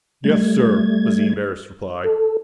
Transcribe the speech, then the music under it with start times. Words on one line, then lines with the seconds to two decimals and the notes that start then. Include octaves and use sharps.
"Yes, sir," was the embarrassed reply.
0.24 G3 A3 G#6
2.04 A4